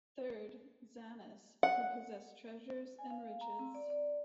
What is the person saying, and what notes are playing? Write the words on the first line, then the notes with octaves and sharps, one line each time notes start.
Third, xanas who possess treasures and riches.
F#5
G#5
F5
A#5
C4
D5
D5